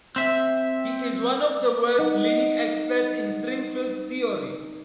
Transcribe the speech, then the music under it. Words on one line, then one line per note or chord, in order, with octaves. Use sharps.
He is one of the world's leading experts in string field theory.
C4 E5
D#4 F#5